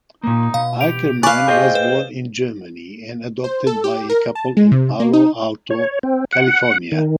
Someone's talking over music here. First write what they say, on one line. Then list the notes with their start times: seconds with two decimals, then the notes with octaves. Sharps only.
Ackerman was born in Germany and adopted by a couple in Palo Alto, California.
0.24 A#2 A#3 D#4
0.54 B2 F5
0.80 G4 D7 F7
1.23 B4 D5 F5 G#5 C#6 D6
1.48 G#4 C5 D#5 G5
1.75 B4
3.44 C5
3.67 A4
3.84 G4
4.10 A#4
4.35 A5
4.57 G#3
4.72 C3
5.00 A#3
5.13 D#4
5.70 C#5
6.03 C4
6.33 F#5
6.92 D#3